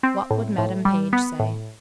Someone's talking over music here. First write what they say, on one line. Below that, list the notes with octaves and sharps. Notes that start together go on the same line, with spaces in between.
What would Madam Page say?
C4
A2
A2
G3
B3
A2